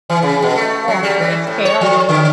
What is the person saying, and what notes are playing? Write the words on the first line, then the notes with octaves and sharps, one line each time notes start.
yeah, it's chaotic,
E3
C#3
B2
A3
F#3
G3
E3
A2
C#5
F3
D3